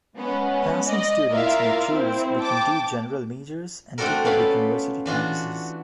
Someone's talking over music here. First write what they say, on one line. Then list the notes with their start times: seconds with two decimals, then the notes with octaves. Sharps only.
Passing students may choose between two general majors and two public university campuses.
0.15 G#3 B3 C#4
0.88 D5 D#5
1.31 E4 F4 A#4 D5 E5 F5
1.90 C4 E4
2.40 G5 A5 D6
3.98 A3 C4 D4 F#4 A4 A#4
4.25 B3 C#4 F4 D5 F5 B5
5.06 E3 D4 F4 F#4